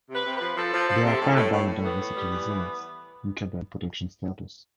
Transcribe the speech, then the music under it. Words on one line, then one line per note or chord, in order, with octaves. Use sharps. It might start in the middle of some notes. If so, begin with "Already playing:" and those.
There are five biodiversity reserves in Quebec with permanent protection status.
C3
B4
C3
F3 B4
F3 A4
F3
F3
C3
A2
A2
A2
A2
E3 B3
A2
G3
E3
E3